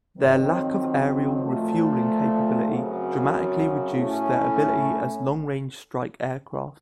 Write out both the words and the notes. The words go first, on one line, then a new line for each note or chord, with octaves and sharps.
Their lack of aerial refueling capability dramatically reduced their ability as long-range strike aircraft.
F2 D#3 F#3 C4
A#2 F3 A3
F#2 C#3 F#3 C4 F#4
A2 A3 C#4